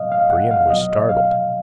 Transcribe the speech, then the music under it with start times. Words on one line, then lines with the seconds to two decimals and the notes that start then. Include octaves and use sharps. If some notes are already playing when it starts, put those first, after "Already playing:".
Brion was startled.
Already playing: B2 F#3 D#5 F5
0.12 F5
0.31 F#5
0.51 F5
0.70 B2 F#3 D#5
1.09 F5